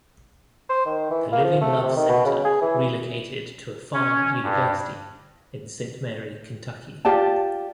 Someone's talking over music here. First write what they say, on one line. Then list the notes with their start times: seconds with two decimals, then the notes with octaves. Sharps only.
The Living Love Center relocated to a farm-university in Saint Mary, Kentucky.
0.70 C5
0.86 D#3
1.10 E3
1.32 A#3
1.44 F3
1.61 A3
1.83 C3
1.97 D#3
2.09 B2
2.25 C#3
2.45 G#4
2.62 E3
3.93 C#4
4.43 G2
7.05 F4 G4 D5 A5